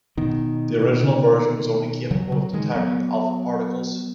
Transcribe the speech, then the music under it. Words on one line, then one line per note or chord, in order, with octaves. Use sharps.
The original version was only capable of detecting alpha particles.
B2 D#3
C#3 F#3
C#3 F#3
D#3 G#3
F#3 B3